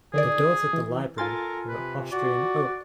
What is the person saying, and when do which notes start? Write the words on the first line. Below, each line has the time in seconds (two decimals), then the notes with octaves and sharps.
The doors of the library were of Austrian oak.
0.14 D3 D#3 G#4 D5
0.73 E3
1.18 F4 A4 A#4 G#5 C6 A6
1.69 C3 B4
2.12 F#4 D5